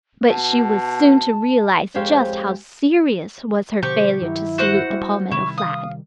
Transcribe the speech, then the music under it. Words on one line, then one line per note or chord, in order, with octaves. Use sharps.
But she was soon to realize just how serious was her failure to salute the palmetto flag.
B2 A5
F2 G#3 G4 C5 C#5 F5
B2 D3 F3 G4 C5 C#6
G2 D#3 F#3 E4
F#4 C5 F#5
G3
C3 D#3 G3 E4 C#6
F5 D#6